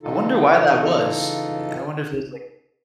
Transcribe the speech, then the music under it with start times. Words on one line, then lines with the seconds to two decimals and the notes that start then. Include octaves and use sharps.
I wonder why that was. Eh, I wonder if it's like
0.03 C#3 E3 D#4 F4 A4